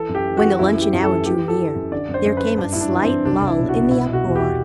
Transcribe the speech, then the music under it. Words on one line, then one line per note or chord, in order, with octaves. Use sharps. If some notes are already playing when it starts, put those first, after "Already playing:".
When the luncheon hour drew near there came a slight lull in the uproar.
Already playing: E3 A4
F#2
G4
E3
F#4
E3
F#2 E4
E3
G4
F#2
A4
E3
E3 G4
E3
A4
E3
F#2
D3 D5
F#2
C5
F#2
B4
F#2
G2 D4
G2 E4
D4
E3
C4
E3
C2 D4
C2
E4
B2
F#4
C2
B2 E4
B2
F#4
E2
G4